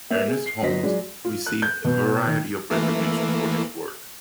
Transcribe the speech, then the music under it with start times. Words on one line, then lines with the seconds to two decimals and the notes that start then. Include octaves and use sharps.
Ernest Holmes received a variety of recognition for his work.
0.10 A#3 E5
0.28 G#4
0.46 C7
0.62 G1 F#3 C5 D#5 B6
0.83 F#3 G#3 D5
1.25 F4
1.46 F#6
1.62 G6
1.85 B2
2.26 D#3
2.71 E3 A3 A#3